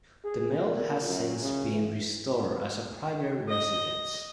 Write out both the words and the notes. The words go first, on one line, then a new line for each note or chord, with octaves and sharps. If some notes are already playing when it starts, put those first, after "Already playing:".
The mill has since been restored as a private residence.
G#4
A#2
F#2
C#3
E3
D#5